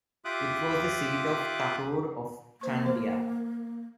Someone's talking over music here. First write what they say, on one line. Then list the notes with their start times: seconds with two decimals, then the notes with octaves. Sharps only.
It was the seat of Thakur of Chandia.
0.25 F4 G4 E5 D6 D#6 F#6
2.61 A#3 C5 C#6
2.85 E3 C5